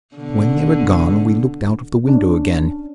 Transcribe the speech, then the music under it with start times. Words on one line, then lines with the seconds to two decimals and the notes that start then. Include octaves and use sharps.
When they were gone we looked out of the window again.
0.15 B2 D3
2.07 C#4 D4